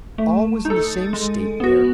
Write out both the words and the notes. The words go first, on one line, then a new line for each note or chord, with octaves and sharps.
All was in the same state there.
A3
D#4
A4
G#3
B3 F#4